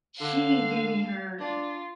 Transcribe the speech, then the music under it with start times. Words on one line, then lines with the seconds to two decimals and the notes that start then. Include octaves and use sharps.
she gave me her
0.21 D3 F5
1.40 D4 F4